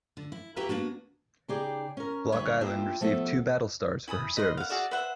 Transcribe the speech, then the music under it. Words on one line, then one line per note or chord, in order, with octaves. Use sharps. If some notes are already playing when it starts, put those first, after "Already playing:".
"Block Island" received two battle stars for her service.
D3
E4
A#3 F#4 G4 B4 E5 A#5
A#3 B3 D4 F#4
C#3 D#4 G4 G#4 D5
C#4 A#4
D2 G2 D4 E4 B4 C#5
A#3 D4 E4 F4 G4
F3 A3 B3 A4
E4 G#5 B5 D#6
D#5 B5 C6
F5 F#5
F#4 G#4 D5 E5
B4 C5 E5 F#5